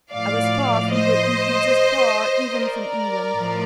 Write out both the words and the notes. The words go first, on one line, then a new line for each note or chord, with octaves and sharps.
I was far from good influences--far even from England.
A2 F3 D5 F5
C5 D#5
A#4 D5
A2 F3